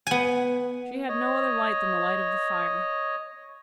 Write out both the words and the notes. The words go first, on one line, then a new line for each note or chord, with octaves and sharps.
She had no other light than the light of the fire.
B3 G#5
C#5 D#5